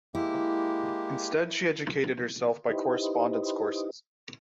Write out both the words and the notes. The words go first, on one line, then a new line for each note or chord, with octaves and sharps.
Instead she educated herself by correspondence courses.
G#3 A#3 E4 G4
D#4 E4 G4 B4 C5 D#5